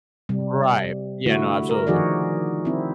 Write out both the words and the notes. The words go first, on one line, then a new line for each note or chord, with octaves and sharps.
Right, yeah, no, absolutely.
C3 G3
D3 A3 E4 F#4
A#4
D#3 F3 D#4 F#4 G#4 D5
C4 E4